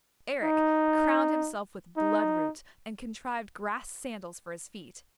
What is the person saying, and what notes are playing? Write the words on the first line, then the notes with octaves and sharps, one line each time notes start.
Eric crowned himself with bloodroot and contrived grass sandals for his feet.
D#4
D#4